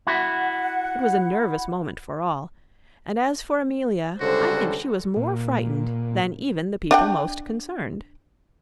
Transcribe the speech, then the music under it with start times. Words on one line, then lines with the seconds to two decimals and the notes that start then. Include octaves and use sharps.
It was a nervous moment for all; and as for Amelia, I think she was more frightened than even the people most concerned.
0.07 E4 F#4 F#5
4.20 C#2 D3 G3 F#4 A4 C5
5.16 A#2
6.91 D4 F#5 G5